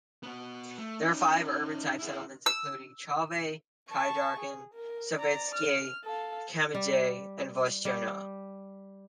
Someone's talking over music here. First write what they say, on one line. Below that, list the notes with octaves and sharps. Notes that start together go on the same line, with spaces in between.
There are five urban-type settlements, including Chauvay, Khaidarkan, Sovetskiy, Kadamjay and Vostochny.
B3 F#4
A3
C#4 D#4
E4 G#4
E6
A5 C#6
G#4
A#4
D5 A#5
F6
A4 F5
G3
G3